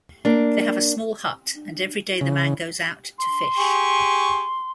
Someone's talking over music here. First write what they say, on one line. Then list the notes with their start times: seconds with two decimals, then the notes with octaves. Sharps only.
They have a small hut, and every day the man goes out to fish.
0.25 A#3 D4
2.21 C#3
3.19 C6
3.58 G4 G#4 C#6